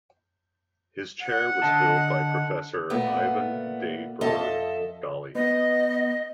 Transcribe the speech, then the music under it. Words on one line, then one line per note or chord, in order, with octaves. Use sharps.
His chair was filled by Professor Ivan De Burgh Daly.
F#5
D3 D#5 A5
A#2 A3 B3
F2 A4 D#5 E5 A5
B3 D#5